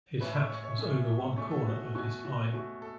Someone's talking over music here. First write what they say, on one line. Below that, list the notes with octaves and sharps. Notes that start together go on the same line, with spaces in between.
His hat was over one corner of his eye.
A2 A3 C#4 B4
E5
C#5
C#5
A2 A3 C#4
B2 A3 C#4 C#5
A4
F#4
F#4
B2 A3 C#4 F#4
F#4
B2 A3 C#4 F#4
A4